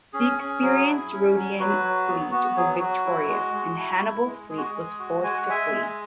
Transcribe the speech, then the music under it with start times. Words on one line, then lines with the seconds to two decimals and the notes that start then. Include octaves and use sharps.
The experienced Rhodian fleet was victorious, and Hannibal's fleet was forced to flee.
0.13 C#4 G#4
0.38 C#4
0.62 F#3
0.87 E4
1.11 C#4
1.35 F#3
1.59 F#3 F#4 B4
1.84 F#3
2.08 B3
2.31 B3 F#4
2.56 F#3 G#4
2.80 F#3 F#4
3.05 E4
3.28 G#3
3.54 G#3
3.78 E4
4.02 E4
4.26 G#3
4.50 G#3 G#4
4.57 F#4
4.65 G#4
4.75 G#3
4.99 F#4
5.23 G#3 G#5
5.37 F#5
5.47 G#3 E5 G#5
5.72 G#3